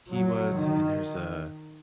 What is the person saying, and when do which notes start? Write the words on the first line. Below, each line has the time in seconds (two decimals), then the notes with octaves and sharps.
He was, and there's a
0.11 F#3
0.56 D#3